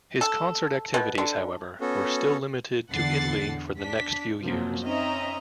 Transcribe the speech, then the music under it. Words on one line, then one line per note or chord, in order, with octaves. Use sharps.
His concert activities, however, were still limited to Italy for the next few years.
A4
B2
D3
B3 C#4 F#4 A4
E2 D3 D4 F#5 A6 C7
D4 B6
F#2 C3 F3 F#3 A#3
C4 C#4 D#4 D#5 E5 A#5